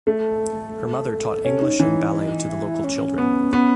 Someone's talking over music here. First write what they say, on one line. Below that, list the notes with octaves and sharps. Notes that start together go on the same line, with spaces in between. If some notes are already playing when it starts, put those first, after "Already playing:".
Her mother taught English and ballet to the local children.
A3 A4
A4
A4
C#4 A4
D#4
E3 D#4
D#4
E4
E4
C#4
B3
B3